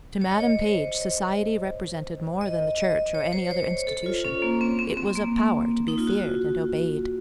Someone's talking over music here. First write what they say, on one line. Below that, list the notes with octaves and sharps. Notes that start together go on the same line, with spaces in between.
To Madam Page society represented more than the church or any other institution. It was a power to be feared and obeyed.
C#5
D#5
C#5
C5
D#5
D#5
C#5
C5
C#5
A4
F4
C#4
A#3
C4
C4
C4
A#3
D#4
F4
F#4